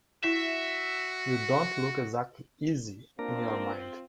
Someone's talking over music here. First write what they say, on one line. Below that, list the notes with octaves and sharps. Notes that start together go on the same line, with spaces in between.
You don't look exactly easy in your mind.
E4 F#4 E5
A#3 C4 D4 F4 A#4